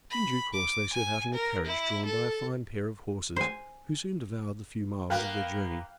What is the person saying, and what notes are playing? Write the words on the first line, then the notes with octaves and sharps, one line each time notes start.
In due course, they set out in a carriage drawn by a fine pair of horses, who soon devoured the few miles of their journey.
B5
D6
G#5
A#4
E4
A4
C5 G#5
A#3 B3 F5 G5 F#6